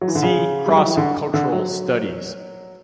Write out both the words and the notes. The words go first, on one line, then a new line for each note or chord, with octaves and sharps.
See Cross-cultural studies.
F#3
E3
D3
C#3
G3
F#3
E3
D3
D3
F#3